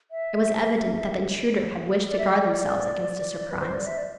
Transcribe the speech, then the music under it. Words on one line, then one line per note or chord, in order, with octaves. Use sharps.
It was evident that the intruders had wished to guard themselves against a surprise.
E5
D5
E5
D5
B4
C5
D5
E5
D5